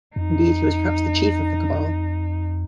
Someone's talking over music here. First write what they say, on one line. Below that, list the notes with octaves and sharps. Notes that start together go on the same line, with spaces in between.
Indeed, he was perhaps the chief of the cabal.
F2 D#4